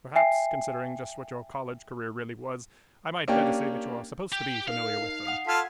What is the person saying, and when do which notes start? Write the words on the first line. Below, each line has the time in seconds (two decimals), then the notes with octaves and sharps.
"Perhaps, considering just what your college career really was, I might better say that you are supposed to be familiar with them."
0.16 E5 G5 G#5 C7
3.28 A#3 C#4 D4 G4 G5
4.32 G4
4.68 D#4 A#4 F5
4.98 D#4
5.25 F#5 D#6 C7
5.47 F4 A4 F5 F#5 G#6 B6